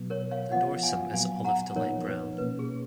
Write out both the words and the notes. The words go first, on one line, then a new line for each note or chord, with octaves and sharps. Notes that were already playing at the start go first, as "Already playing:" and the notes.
The dorsum is olive to light brown.
Already playing: B2 F#3 B3
A#4 C#5
C#5 F5
F3 B3 F4 D#5 F#5
F5 G#5
A#2 F#3 B3 F5 G#5
F#5 A#5
A#2 F3 B3 D#4 A#4 C#5
B4
B2 A#3 C#4 B4
G#4